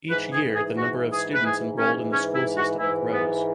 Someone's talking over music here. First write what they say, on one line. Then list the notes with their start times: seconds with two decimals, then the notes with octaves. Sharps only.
Each year the number of students enrolled in the school system grows.
0.09 G#2 E3 B4
0.32 G#4
0.54 G#4
0.77 F#4
1.11 G#4
1.34 B4
1.44 G#4
1.78 C#4
2.12 C#4
2.34 E4
2.57 F#4
2.79 G#2 E3 E4
3.13 B3